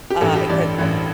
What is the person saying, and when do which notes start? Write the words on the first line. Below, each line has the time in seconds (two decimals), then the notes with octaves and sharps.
uh, 'cause
0.10 G4
0.21 A1 G2 E3 A4
0.35 G4
0.49 A1 G2 E3 D5
0.78 A1 G2 E3